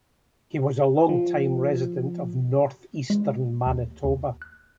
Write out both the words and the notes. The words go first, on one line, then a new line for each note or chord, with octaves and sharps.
He was a long-time resident of northeastern Manitoba.
F3
G#3
D#2
D#2
F#6